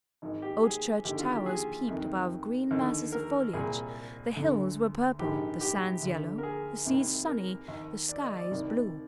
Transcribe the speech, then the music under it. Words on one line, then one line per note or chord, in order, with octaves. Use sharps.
Old church towers peeped above green masses of foliage; the hills were purple, the sands yellow, the seas sunny, the skies blue.
G#1 G#2 D#3
G4
G#4
D#2 D3 G4
F4
G4
G#4
F2 C3 D#3
D#2 D3
A#4
C2 A#2 G#4
D2 D3
A#1 G#2 D#3 G4
G4
D2 D3
A#4
G#4
C2 C3 D#3
A#4
D#2 D#3
D5
D#5
D5
C2 C3 D#3